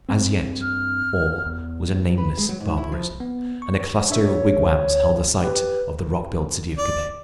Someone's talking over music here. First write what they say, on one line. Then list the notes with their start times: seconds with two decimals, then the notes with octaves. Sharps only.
As yet, all was a nameless barbarism, and a cluster of wigwams held the site of the rock-built city of Quebec.
0.09 G2 C4
0.62 F6
1.46 E2
2.18 B4
2.37 G#3
2.49 F#3
2.60 G#2
2.77 E4
2.92 F3
3.20 B3
3.62 C#6
4.10 D4 C#5 E5
4.58 D2
5.43 G4 B4
6.78 D5